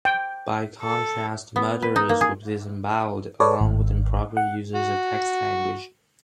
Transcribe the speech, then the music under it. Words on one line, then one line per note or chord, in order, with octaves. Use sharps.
By contrast, murderers would be disembowelled, along with improper users of text language.
G5
A4
B3
B4
D#4
A#3
G#4
A4 B4 C#5 D5
G#1
F#5
F#4